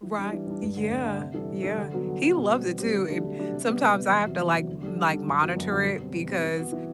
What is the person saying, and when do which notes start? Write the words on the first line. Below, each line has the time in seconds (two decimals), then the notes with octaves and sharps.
Right. Yeah, yeah. He loves it too and, sometimes I have to, like like, monitor it because,
0.03 E3
0.18 G3 D4
0.33 E3
0.47 G3 D4
0.62 G2
0.76 D3 A3
0.90 G2
1.05 D3 A3
1.19 C3
1.34 E3 G3 D4 A4
1.49 C3
1.63 E3 G3 D4 A4
1.77 D3
1.92 F#3 B3 F#4 A4
2.07 D3
2.22 F#3 B3 F#4 A4
2.36 B2
2.51 G3 C4 G4
2.65 B2
2.80 G3 C4 G4
2.94 D3
3.08 F#3 A3 D4 G4
3.23 D3
3.37 F#3 A3 D4 G4
3.52 C3
3.67 G3 B3
3.81 C3
3.97 G3 B3
4.11 E2
4.26 C3 F#3
4.40 E2
4.54 C3 F#3
4.69 D3
4.83 G3 D4 A4
4.98 D3
5.12 G3 D4 A4
5.27 F#2
5.42 D3 F#3 B3
5.56 F#2
5.71 D3 F#3 B3
5.84 B2
5.99 G3 C4
6.13 B2
6.29 G3 C4
6.43 E3
6.57 B3 F#4
6.72 E3